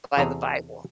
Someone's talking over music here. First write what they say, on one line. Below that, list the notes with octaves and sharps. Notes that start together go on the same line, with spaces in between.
by the Bible.
E2 C3 G#4 A4 A#5